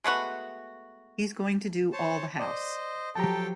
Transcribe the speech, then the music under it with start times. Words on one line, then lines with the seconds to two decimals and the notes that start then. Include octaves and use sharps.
He's going to do all the house.
0.04 G#3 A3 B3 F#4
1.93 C5 C#5 A5
2.40 C5 D5 D#5
3.16 F3 F#3 G4 A4 G5 A5 A#5